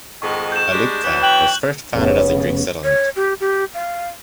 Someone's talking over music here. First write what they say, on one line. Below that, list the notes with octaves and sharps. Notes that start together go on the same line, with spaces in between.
Alupka was first founded as a Greek settlement.
F2 G#2 D#3 C#6
G6 E7
G3 G#3 D4
E3 F#3 B3
G5 F#6 F#7
F1 C#3 B3 C#4
C#5
G4
G4
F5